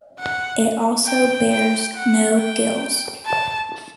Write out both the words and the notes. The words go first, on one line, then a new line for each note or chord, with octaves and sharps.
It also bears no gills.
F#5
G5
G5
F#5
G5
A5